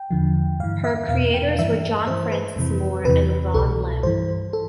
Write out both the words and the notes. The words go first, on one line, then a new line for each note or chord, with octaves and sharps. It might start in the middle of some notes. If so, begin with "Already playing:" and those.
Her creators were John Francis Moore and Ron Lim.
Already playing: G5
E2 D3 F3
G2 E3 F5
E5
E2 B2 F5
G5
G2 E3 E5
G2 E3 C5
B4
F2 C3 E3
E2 C3 E3 B4
C2 B2 A4
G2 E3 C5
A4